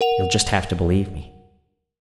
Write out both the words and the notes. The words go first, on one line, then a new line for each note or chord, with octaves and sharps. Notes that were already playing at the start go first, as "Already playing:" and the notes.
You'll just have to believe me.
A#4 F#5 F7